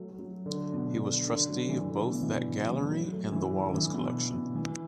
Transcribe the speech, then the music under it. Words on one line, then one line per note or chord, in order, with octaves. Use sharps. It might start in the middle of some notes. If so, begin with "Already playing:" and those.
He was trustee of both that gallery and the Wallace Collection.
Already playing: F#3 A3
F#3
D3
B2
D3
D3
F#3
E3
D3
B2
E3
D3
F#3
E3
F#3
A3
E3
D3
E3
B2
B2
E3